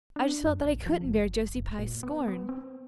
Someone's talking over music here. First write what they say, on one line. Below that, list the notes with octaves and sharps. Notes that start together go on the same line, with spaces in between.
I just felt that I couldn't bear Josie Pye's scorn.
D4
F#2
A#1
F3
F#1
F#1
A#2
B3
B3
C4